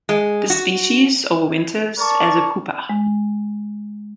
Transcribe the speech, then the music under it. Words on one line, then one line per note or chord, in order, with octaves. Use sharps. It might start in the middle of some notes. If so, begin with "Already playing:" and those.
This species overwinters as a pupa.
G#3
F#4
A#4 D5 A5 C#6
G#3